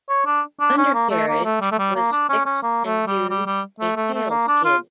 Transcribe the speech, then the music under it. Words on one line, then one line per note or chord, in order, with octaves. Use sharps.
Undercarriage was fixed and used a tailskid.
C#5
D4
D4
C#4
A#3
A3
A#3
A3
G3
A3
G3
A#3
D4
C#4
C#4
A#3
A3
G3
G3
G3
A3
A3
A3
A#3
D4
F4